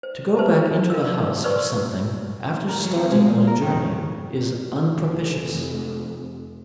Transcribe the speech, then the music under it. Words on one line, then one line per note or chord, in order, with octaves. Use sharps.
To go back into the house for something after starting on a journey is unpropitious.
C5
B4 C5 E5 A5
A#4 F5 E6
B4 C5 D5 C6 C#6 E6
A#4
F#3
C4
G#3
F4
A#4
D#3
C#3
F1 F2